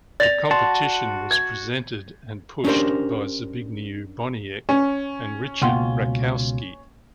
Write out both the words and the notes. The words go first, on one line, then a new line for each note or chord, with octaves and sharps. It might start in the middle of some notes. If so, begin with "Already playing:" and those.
The competition was presented and pushed by Zbigniew Boniek and Richard Raczkowski.
D5 A6 A#6 F7
F#4 A5 C6
G#6
C#4 D4 G4 A#4 C5
C#4
C#2 B2 A#3 F4 F#5 C6